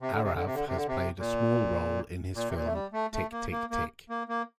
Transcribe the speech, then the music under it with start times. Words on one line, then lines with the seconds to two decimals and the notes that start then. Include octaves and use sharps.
Aarav has played a small role in his film, "Tik Tik Tik".
0.01 C3
0.12 D3
0.22 C3
0.34 D3
0.44 C3
0.54 D3
0.66 C3
0.76 D3
0.87 C3
1.18 A#2
2.35 A#2
2.49 C3
2.54 A#2
2.66 A3
2.74 G3
2.93 A3
3.13 A3
3.32 A#3
3.52 A#3
3.71 A#3
4.10 A#3
4.29 A#3